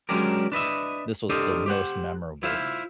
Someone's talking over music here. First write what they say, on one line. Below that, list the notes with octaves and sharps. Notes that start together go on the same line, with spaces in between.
this was the most memorable."
F#3 G#3 C#4 D4 G4 A#4
D4 B4 D#5 E5
D4 G4 A4 A#4 C5 D#5
G4 C5 F#5
E4 F4 C5 E5 F5